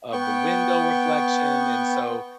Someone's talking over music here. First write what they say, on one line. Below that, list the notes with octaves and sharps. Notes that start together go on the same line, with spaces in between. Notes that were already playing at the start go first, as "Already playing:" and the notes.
of the window reflection, and so
B3 G5 C#6